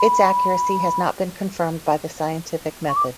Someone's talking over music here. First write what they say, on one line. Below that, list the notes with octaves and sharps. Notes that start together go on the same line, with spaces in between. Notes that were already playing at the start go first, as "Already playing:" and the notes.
Its accuracy has not been confirmed by the scientific method.
Already playing: B5
C#6
D6